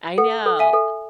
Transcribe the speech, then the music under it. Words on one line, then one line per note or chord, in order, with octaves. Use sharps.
I know
A4 F#5
A4
E5 G#5
A4